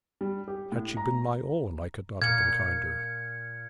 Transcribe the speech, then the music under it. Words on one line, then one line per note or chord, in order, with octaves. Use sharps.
Had she been my own, I could not have been kinder.
G3
G4
A2
A#5
A#2 F6 G#6 C#7